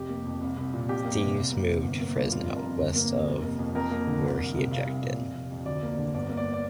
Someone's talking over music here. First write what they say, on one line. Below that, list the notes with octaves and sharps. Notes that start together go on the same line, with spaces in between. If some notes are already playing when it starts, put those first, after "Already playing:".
Steeves moved to Fresno, west of where he ejected.
Already playing: F1 G4
A#3
F2
C2
C2
A#2
F2 G4
A#3
C3
C2
A#3
C3
G1
A#3
G2
F1 F4
F1
A#4
F2
G1
A#3
F2
F1
A#3
F2
F2 A#4
A#3
D3
C2
C2
C3
C2 F5
C2
A#2
F1
F1
F2
D2 D5
A#3
D3
G1 D5
A#3
D5
D5